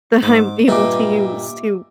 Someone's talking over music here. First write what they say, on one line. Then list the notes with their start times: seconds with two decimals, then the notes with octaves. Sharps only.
that I'm able to use to
0.22 G#2 D6
0.68 G2 A#2 D#4 E5 D6